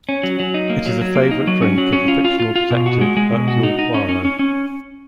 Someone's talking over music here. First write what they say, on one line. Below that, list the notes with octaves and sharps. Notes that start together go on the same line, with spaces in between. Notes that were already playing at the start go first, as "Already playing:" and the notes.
It is a favourite drink of the fictional detective Hercule Poirot.
C#4
F#3
F#3
D#4
A#3
F#3
F#3
A#3
D#4
F#3
C#4
F#3
C#4
F4
F4
F4
F4
B2
F#4
G#3
G#3
B2
F#4
D#4
D#4
C#4
C#4
C#4
C#4